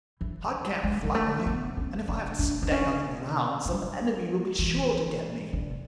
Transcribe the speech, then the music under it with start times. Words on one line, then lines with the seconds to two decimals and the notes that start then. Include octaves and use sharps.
I can't fly, and if I have to stay on the ground some enemy will be sure to get me.
0.21 E3
0.83 G#3
1.04 G#3
1.15 A3
1.46 B3
1.77 C#4
2.08 D4
2.39 D4
2.62 D4
2.71 C#4
3.66 D4
4.59 E3
5.53 D3